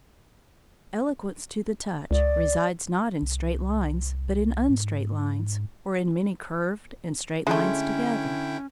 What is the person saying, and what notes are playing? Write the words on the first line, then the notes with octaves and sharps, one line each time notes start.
Eloquence to the touch resides not in straight lines, but in unstraight lines, or in many curved and straight lines together.
C#2 D5
C2
G#2
D3 G#3 A3 C#4 E4 G5